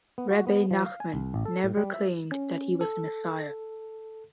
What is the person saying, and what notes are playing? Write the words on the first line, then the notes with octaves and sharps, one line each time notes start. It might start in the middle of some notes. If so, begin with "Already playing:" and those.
Rebbe Nachman never claimed that he was the Messiah.
B3
F#4
B3
F3
F5
G#5
C2
A1
A4
A2
G3
E5
C#4
A4